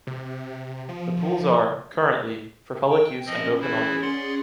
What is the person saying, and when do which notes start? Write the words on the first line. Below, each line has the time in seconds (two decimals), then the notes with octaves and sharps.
The pools are, currently, for public use and open all year.
0.07 C3
0.89 F3
2.90 G5
3.26 F3 C4 C#4 G#4 D#5
3.61 E3 E4 C5
4.02 D5 F#5 C6